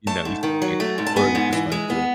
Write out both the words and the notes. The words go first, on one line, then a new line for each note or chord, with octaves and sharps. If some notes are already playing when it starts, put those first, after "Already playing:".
you know, you said, like, the aquarium, it's, like, the
A3 A5
G#2
D#3
F#3
A3
G#2
A5
B3 G#5
G#2
E3
G#3
B3